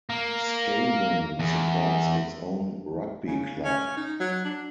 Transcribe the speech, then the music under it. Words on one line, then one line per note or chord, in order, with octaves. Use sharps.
Skewen supports its own rugby club.
A#3
E2
C#3
C#4
D#4
F#3
D4